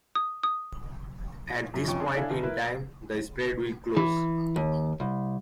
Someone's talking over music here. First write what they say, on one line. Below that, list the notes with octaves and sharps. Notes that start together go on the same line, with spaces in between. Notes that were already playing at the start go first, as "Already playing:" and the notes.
At this point in time, the spread will close.
D#6
D#6
F#2 F3
F1 F2 C#4 C#6
D4 G#4 C#5 G#5 C6
D4 E4 A4 F5 G#5
G1
E4 A#4 B4
E3
D#2
C2